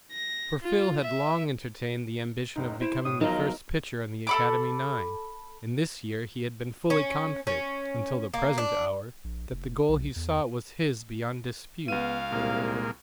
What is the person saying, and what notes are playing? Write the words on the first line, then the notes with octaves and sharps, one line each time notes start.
For Phil had long entertained the ambition of becoming the first pitcher on the academy nine, and this year he had been fully confident until the present hour that the goal he sought was his beyond dispute.
A#6
F4
E5
F#1 C#2 D#4
E4 C5 D7 E7
A2 D#6
E2 F3 F#3 D#4 F4 A#4
A4 B5 D6
C#4
C#4
A#3
D4
A#1
F1
B1
E2
C#2 B3 F5 D#7
C2 A#2 G#3 A#3